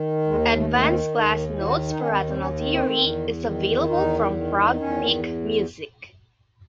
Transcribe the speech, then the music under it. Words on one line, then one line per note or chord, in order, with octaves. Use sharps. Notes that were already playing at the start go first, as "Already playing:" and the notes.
"Advanced Class Notes for Atonal Theory", is available from Frog Peak Music.
Already playing: D#3
D#2 G#3
A3
D#3 A3
C4
D#2 D#4
E4
D#3 F#4
D#4
C#4
D#2 C4
C4
C#4
D#3
C4
E2
D#3
E2 D#4
D#3
E2 C#4